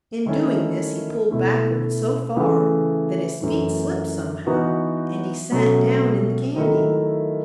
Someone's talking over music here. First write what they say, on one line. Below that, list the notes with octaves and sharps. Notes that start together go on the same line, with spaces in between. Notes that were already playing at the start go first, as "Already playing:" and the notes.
In doing this he pulled backwards so far that his feet slipped somehow, and he sat down in the candy.
D#3 A3 C#4 E4 A4
B2 A3 E4
C#3 E3 A3
F#2 E3 A3
E3 B3 D#4 F#4 B4
B2 F#3 A3 C#4
D#3 F#3 A3 E4